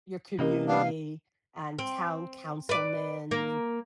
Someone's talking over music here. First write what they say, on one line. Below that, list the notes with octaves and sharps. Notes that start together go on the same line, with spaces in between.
your community and town councilmen,
C3 A#3 C#4 G4 A#4 D#5
G3 B3 D4 F5
C4
B4 D5
A#3